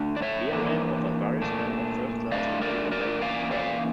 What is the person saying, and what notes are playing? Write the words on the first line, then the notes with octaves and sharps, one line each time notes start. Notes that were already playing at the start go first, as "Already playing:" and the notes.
Via Rail offers various kinds of first class depending on length of travel.
Already playing: D3 A3 D4
D5
C#5 E5
E3 A#3 D4
A#2 A3 D4
D3 A3 D4 D5 F5
A#4 D5
A#4 D5
E3 A#3 C#4 D5 F5
D5 F5